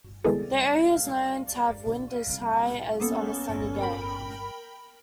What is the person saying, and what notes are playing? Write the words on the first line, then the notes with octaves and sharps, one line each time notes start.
The area is known to have wind as high as on a sunny day.
D#3 G#3 B3 E4 G#4 A4
A#3 B3 C#4 A4
A#4 G5 B5